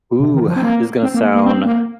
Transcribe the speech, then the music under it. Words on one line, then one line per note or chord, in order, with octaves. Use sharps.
Ooh, ah, this is gonna sound
C3
D#3
F3
C4
A#3
C4
A#3
A#3
C4
A#3